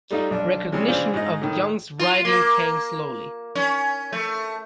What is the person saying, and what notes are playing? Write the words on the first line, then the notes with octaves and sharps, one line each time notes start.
Recognition of Young's writing came slowly.
G3 A3 D#4 F4
B1 D4
C3 E3 G3 G#3 C#4
C#3 E3 D4 F4 C5
G#2 D#5
A2 D#3
F4
A#3
C#4
A3